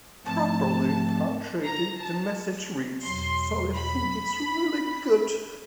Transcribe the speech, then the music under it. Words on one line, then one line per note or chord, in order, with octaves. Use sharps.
Properly punctuated, the message reads: So you think it's really good?
G#2 F3 A3 C4 A5
A#5
A5
E2 B2 F#3 C6
B5